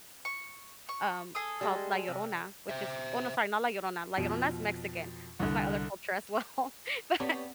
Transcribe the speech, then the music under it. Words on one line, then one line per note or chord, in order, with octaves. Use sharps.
um, called La Llorona, which is oh no, sorry, not La Llorona- La Llorona's Mexican, that's my other culture as well, but
C#6
C#6
G#4 A4 D#6
G3 G#3
C3
C5 E5
F2 B2
C2 D3
B3 C4 G4 C#5 D5